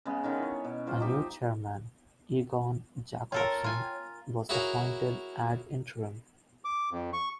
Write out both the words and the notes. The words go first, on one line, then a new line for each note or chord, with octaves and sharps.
A new chairman, Egon Jakobsen, was appointed ad interim.
C#3 G#3 B3
D3 D#3 C#4
E4 C#5
B2
G3 F4 C5
F3 D#4 G4
F4 A4 A#4 C#5 G5 G#6
F4 G#5
E4 F#4 G#4 A#4 C#5 F5
D6
F2
C#6